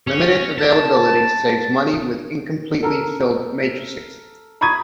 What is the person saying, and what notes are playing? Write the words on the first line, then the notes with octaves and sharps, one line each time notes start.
Limited availability saves money with incompletely filled matrixes.
C#4
A5
A4 A#4
A#5 B5 C#6 D#6 G#6 D#7